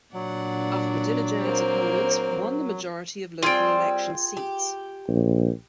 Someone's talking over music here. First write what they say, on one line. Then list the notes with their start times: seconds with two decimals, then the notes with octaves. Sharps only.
Ahmadinejad's opponents won the majority of local election seats.
0.14 A#2 F#3 D4 D5 F#5
1.42 A#3 C4 C5
3.43 G3 C4 F4 G#4 G5
4.37 G4
5.08 A#1